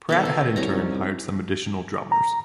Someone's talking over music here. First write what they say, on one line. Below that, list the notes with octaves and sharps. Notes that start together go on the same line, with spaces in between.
Pratt had in turn hired some additional drummers.
B2 D#3 A4
D#4
C2 C#4 D#4 A#5
A#5